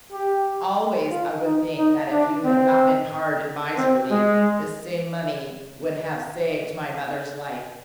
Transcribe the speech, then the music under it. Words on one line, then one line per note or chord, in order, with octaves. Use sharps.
Always I would think that if you had not been hard and miserly this same money would have saved my mother's life.
G4
F4
D#4
D#4
D4
C4
C4
G#3